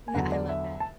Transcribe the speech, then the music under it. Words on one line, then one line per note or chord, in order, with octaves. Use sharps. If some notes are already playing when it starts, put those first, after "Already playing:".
Yeah, I love that.
G#5
E2 D3 F#3 F#5
D5
E5
A5